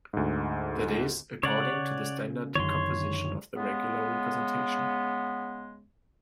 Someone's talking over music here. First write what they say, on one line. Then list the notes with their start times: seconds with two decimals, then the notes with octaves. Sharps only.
That is according to the standard decomposition of the regular representation.
0.13 D2 G#2
1.43 C#3 C#5 D5 F#5
2.55 F#2 D3 D#3 C#5 C6
3.55 C#3 G#3 B3